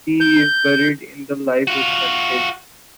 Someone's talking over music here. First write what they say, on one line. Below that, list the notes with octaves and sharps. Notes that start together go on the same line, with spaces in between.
He is buried in the Live Oak Cemetery.
G6
F4 F#4